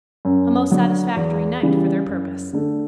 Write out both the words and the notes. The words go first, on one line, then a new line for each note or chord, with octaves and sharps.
A most satisfactory night for their purpose.
F#2
D3 F#3
E2
C#3 E3 G3
F#2
D3 A3 D4